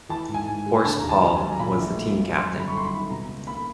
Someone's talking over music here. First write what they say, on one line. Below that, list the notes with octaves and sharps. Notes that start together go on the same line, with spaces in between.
Horst Paul was the team captain.
E3 A5
G#2
G#5
G#2
G#3
D3 A5
D#2 A#5
A5
D#2
G#5
F#3
A#5
A#2 B5
A#1
A3
F#3
F#2 C6
G1
B5
C#6
G1 C6
B5
D#3
B2 A#5
C#2
A#3 B5